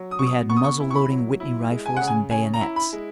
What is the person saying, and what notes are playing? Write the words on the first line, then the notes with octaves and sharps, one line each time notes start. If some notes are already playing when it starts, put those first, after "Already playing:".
We had muzzle-loading Whitney rifles and bayonets.
Already playing: F#3
D#6
B2 C#6
D#6
B3 C#6
D#6
C#6
E4
C#6
B5
F#3
E4
G#3
G#5
C#3 F#5
G#5
C#4 G#5
A#5
E4
B5
G#3